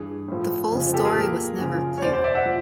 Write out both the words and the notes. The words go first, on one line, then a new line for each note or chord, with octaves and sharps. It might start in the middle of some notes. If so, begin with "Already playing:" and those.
The full story was never clear.
Already playing: G2 E3 G#4
A2 F3
F2 C#3 F3
G4 A4
G#4 A#4
A#2 F3
F#2 C#3 F3
C#5
E2 B2 C5 D5
C5 D5
D5 E5
E5 F#5
F3